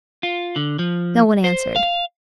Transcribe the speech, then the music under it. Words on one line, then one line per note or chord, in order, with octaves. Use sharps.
No one answered.
F4
D3
F3
C5
F5